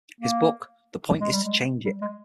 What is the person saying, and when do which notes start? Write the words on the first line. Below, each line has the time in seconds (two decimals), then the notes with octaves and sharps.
His book The Point Is To Change It!
0.21 A#3
1.20 G#3
1.32 G3
1.44 G#3
1.85 G3
2.01 G#3